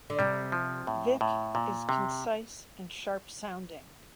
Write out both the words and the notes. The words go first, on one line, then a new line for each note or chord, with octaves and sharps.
Vik is concise and sharp-sounding.
D3
C3 G3
F3
A2
A2
A#2
C3